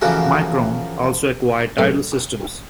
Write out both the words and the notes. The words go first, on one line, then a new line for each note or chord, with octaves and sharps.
Micron also acquired Tidal Systems.
F#2 C#3 E3 F3 A3 F#4
B1 A2 D#4 A4 B4 F5